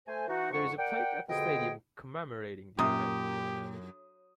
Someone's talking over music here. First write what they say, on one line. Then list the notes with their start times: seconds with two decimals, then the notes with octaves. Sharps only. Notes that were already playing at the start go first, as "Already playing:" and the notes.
There is a plaque at the stadium commemorating the event.
0.07 A3 C5 G#5
0.28 E3 D#4 F#4
0.52 F2 G#2 F#5 C#6
0.77 A#4 D5 F#5 G5
1.28 F2 B2 D3 G#4 D#5 G5
2.79 F#2 A#2 G4 D#6